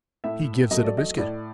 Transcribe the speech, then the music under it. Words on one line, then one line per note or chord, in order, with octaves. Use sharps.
He give it a biscuit.
A2 E5
F#3 A3 D#5
D5
D#5
A2 D5